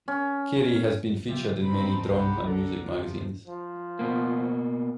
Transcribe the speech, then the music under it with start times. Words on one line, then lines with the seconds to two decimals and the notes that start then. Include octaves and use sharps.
Carey has been featured in many drum and music magazines.
0.08 C#4
1.28 C#3 F#3 A3 F4 G4 E5
1.63 G#2 C4 D#4 A4 B5
2.11 C2 G4 F#5 B5
2.44 D3 F#3 A4 D5 F#5 A#5
2.83 G2 C3 F3
3.47 F3
3.99 B2 A#3